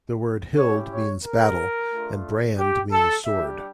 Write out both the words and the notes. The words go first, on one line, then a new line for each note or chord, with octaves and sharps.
The word "hild" means "battle" and "brand" means "sword".
C#4 E4 G4 C#5
C#5
A#4
A3 D4 F4
G4
A4
G3 D4 G4 E5